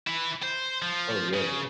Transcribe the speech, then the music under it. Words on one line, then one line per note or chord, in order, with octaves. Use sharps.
Oh, yeah.
E4 B4
C5
F3
C#3